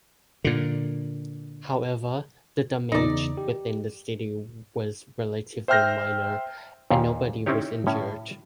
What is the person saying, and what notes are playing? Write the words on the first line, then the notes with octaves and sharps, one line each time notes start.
However, the damage within the city was relatively minor, and nobody was injured.
A#2 D3
E2 C#3 D#4 D5
G4
C5 E5 G5 F6 G6 A#6
D#2 A#2 F5
C4 C#4 D#4 E4 G4 C#5
A2 C#4